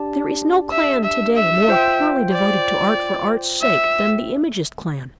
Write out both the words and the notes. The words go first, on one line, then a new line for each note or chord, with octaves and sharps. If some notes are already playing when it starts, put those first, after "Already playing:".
There is no clan to-day more purely devoted to art for art's sake than the Imagist clan.
Already playing: D4 G4 D5 A5
E5
E5
E5
F4 C5 G5
D5
E5